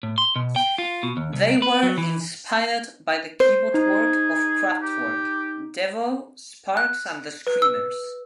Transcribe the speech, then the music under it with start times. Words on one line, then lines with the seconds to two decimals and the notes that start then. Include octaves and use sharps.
They were inspired by the keyboard work of Kraftwerk, Devo, Sparks and The Screamers.
0.03 A2
0.18 C6
0.36 B2
0.56 G5
0.78 F4
1.03 B2
1.17 D#2
1.33 C2
1.62 B4
1.83 F#3
1.98 E3
3.40 C5
3.74 D#4 G#4
4.82 G4
6.77 F#6
7.47 B4
7.62 E6